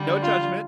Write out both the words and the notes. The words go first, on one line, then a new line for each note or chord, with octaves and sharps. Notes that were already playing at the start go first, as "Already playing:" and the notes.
No judgment.
Already playing: D3 G3
F4